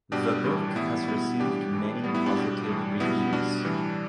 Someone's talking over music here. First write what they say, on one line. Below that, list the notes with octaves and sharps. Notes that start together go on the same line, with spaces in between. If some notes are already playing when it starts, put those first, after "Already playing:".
The book has received many positive reviews.
B2 G3 D4 G4
A2 E3 G3
A2 E3 G3 B3 E4
B2 G3 B3 E4
A2 E3 G3 D4 G4
A2 E3 G3
A2 G3 B3
B3 E4
D4 G4
B2 G3
A2 E3 G3
B2 G3 B3 E4
B2 G3 D4
A2 E3 G3